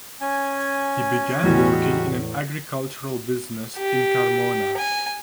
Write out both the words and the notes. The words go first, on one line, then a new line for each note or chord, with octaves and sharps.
He began working in an agricultural business in Carmona.
C#4 G#5
E2 A2 G3 G#3 F#4
G4
G#5